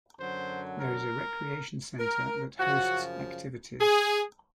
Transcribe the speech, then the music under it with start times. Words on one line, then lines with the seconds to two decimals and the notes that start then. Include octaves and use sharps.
There is a recreation center that hosts activities.
0.19 F#2 D3 F#3 C5
0.79 A#4
2.00 A#4
2.60 F#2 C#3 F3 F#4
3.81 G#4